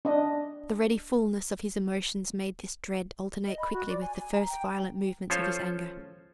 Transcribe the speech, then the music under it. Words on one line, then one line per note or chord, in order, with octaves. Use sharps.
The ready fulness of his emotions made this dread alternate quickly with the first violent movements of his anger.
D4 D#5
D#5
B5
F#4
D5
G#5
G#5
A#5
G5
F3 C#4 F4 A4 C5 C#5